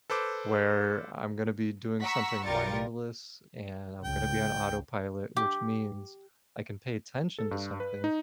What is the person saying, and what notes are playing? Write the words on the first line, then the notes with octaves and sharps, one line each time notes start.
where I'm gonna be doing something mindless, and I'm gonna be on autopilot, which means I can pay attention to something,
A4 B4 C5 D6
F#5 A#5 C#6 E6 B6
B1 G3 F4 A#4 A6 C#7
C#2 G5
G4
A4
G2
B4
D#4